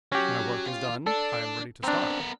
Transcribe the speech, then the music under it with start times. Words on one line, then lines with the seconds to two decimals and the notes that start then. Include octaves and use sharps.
My work is done: I am ready to start.
0.12 F#3 C#4 G4
0.66 F4
1.06 D4 A4
1.83 B3 C4 D4 A#4